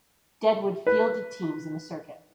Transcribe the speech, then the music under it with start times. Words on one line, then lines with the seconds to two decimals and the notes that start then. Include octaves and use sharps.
Deadwood fielded teams in the circuit.
0.87 B4